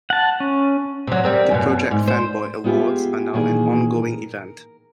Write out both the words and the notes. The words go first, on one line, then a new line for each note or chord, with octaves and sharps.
The Project Fanboy Awards are now an ongoing event.
F#5 A5
C#4
C3 F#3
G3 C4 A#4
F#2 B2
G#2
C5
G#3 B3 F4 G4 G#4 E5
A#2 D#3 E3 A#3 G#4
A#4